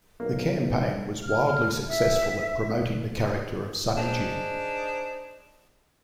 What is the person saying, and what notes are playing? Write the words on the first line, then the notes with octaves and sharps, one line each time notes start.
The campaign was wildly successful at promoting the character of Sunny Jim.
B1 A#3
F6
E5
D4 D#4 G#4 C5